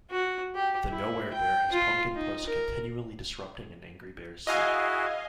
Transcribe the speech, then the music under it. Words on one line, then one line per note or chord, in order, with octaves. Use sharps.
The "Nowhere Bear" has Punkin' Puss continually disrupting an angry bear's sleep.
F#4
G4
E4
G5
F4
D#4
A#4
E4 F#4 G#4 D#5 F5 G#5